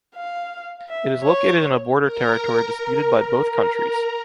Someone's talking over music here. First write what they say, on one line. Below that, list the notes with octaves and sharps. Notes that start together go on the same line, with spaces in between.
It is located in a border territory disputed by both countries.
F5
E5
C#5
A#4 A#5